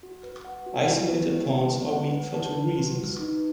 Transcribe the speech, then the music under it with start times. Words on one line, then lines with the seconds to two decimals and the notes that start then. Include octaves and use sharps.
Isolated pawns are weak for two reasons.
0.03 F#4
0.23 B4
0.45 F#5
0.66 F#4
0.88 E4
1.08 B3
1.29 B3
1.51 B3
1.71 B4
1.93 F#5
2.13 B4
2.34 A5
2.56 B4
2.77 F#4
2.98 B4
3.20 D#4